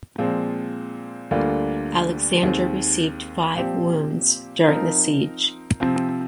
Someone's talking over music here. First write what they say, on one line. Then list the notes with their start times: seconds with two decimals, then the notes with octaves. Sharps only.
Alexander received five wounds during the siege.
0.18 A#2 F3 G#3 C4
1.31 D2 D3 G3 A#3 F4
2.43 D#2 D#3 G#3 C4
3.55 A#2 F3 C4 G4
4.67 F3 C4 D#4 A#4
5.80 C3 F3 C4